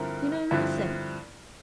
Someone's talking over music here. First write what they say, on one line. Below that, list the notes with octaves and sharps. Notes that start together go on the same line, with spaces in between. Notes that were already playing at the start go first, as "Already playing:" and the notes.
"You know nothing."
Already playing: G2 D3 F3 C4 E4 A#4
G2 D3 F3 C4 E4